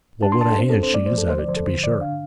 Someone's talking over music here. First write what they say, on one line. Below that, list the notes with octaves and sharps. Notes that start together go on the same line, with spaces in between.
Well, what a hand she is at it, to be sure!'
D4 A5
C6
D4 A5
A4
C4 C5
A4
C4
C5
A3 D5
C5
F3
A4
D3 C5
D5
F3 C5
A4
D3 C5
D3 D5
D4 F5